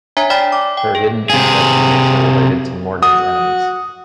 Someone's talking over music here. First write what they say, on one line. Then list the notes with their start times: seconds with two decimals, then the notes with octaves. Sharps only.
Her hidden ancestry makes her related to Morgon's enemies.
0.17 D4 C#5 E5 G#5 A#5
0.30 D5 G5 B5 F6 A6 B6
0.52 D6
0.77 G5
0.95 G#4
1.30 C3 G#4
3.03 F#4 D#6